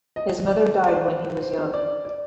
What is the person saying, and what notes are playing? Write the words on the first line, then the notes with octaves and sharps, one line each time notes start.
His mother died when he was young.
D#5
D5
D5
C5
C5
D5
D5